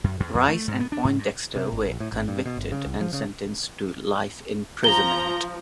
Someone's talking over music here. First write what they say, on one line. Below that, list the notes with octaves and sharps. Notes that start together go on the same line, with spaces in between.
Rice and Poindexter were convicted and sentenced to life imprisonment.
F#2
E2
F2
A3
G#2
B3
D4
G#2
G2
C3
G#1
A#1
A2
G#1
G2
B2
G1
C#3
C2
F3
C#3
F3 A#5 G7